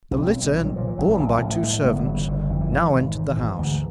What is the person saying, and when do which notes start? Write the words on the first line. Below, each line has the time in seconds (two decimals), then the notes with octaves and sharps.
The litter, borne by two servants, now entered the house.
0.11 B1 C#4
0.22 C4
0.32 B1
0.44 G#3
0.54 A#2 G3
0.65 F#3
0.76 A#2 F3
0.87 E3
0.98 A1 F#3
1.19 A1
1.41 A2 F3
1.52 E3
1.63 A2 G#3
1.74 A3
1.84 G1 A#3
1.96 B3
2.06 C#3 F#3
2.17 E3
2.28 G1 D3
2.39 D#3
2.50 F2 E3
2.61 E3
2.72 G#1 E3
2.93 G#1
3.15 G#2
3.37 G#2
3.58 D2